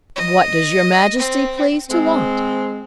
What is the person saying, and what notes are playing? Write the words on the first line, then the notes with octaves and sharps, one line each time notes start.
'What does Your Majesty please to want?
D#5
C4
G#3 C4